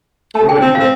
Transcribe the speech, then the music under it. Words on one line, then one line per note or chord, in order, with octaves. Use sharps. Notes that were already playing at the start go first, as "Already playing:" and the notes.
What about you, though?
A3 A5
G5
C4 G5
F5
C4